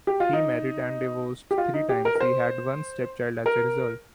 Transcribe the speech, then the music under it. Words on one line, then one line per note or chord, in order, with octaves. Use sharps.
He married and divorced three times; he had one stepchild as a result.
G4
F4
D#4
G4
F4
D#4
G4
A#4
A#4
C5
A#4